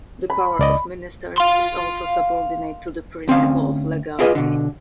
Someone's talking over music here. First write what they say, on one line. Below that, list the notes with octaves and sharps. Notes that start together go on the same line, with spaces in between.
The power of ministers is also subordinate to the principle of legality.
B5
C#2 D5 D#5
F5 C6
D2 C4 C#4 F5
E4 F4 G#4 B4 D#5
B2 D3